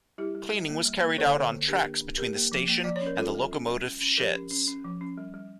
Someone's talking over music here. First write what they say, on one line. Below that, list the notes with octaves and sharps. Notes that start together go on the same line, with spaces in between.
Cleaning was carried out on tracks between the station and the locomotive sheds.
G3 E4 G4
G3
G3
A#3
G3
A#3
D3 A4 C#5
D3
A#3
D4 G4 A#4
A#3
D4
A#3 G4 A#4
A#3
F3
A#3
F3 D5
C#5
C#4
A#4
C#4 F4 A4
G3
C#4
G3
C#4
C#4
F3 G4 A#4
C#4
C#4
C#4
F3
C#4
G3
G3